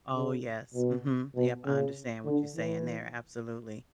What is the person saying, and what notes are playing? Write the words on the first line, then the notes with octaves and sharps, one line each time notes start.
Oh, yes, mhm, yep, I understand what you're saying there, absolutely.
C#3
B2
B2
C#3
D3
E3